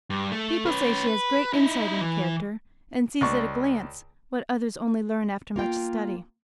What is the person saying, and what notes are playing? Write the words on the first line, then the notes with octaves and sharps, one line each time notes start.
People say she has great insight into character, and sees, at a glance, what others only learn after much study.
G2
A3
C#4 B4
B4
D#4 E4
E3
C#2 D5 C#6
A#3 F4 G5